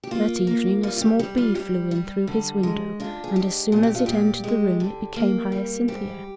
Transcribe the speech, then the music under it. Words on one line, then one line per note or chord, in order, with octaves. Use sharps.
That evening a small bee flew in through his window, and as soon as it entered the room it became Hyacinthia.
G4
A#3 F4
A#3
G3 F4
F4
G4
G3 G4
F4
G3 G4
G3
D3
G#3
D4 F4
G#4
G#2 G4
A#2 G#4
G4
F4
A#2 G4
G#3
D3
A#3
G3
G#2 G4